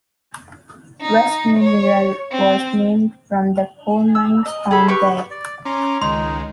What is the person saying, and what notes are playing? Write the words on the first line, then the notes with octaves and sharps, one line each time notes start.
West Mineral was named from the coal mines found there.
D#4
C#5
C4
E6
D#5
G#4 A4 B5
G4 B4 C#6
D5
C#4 A#5 C6 D6
C#2 D#3 G#3 D#4 C6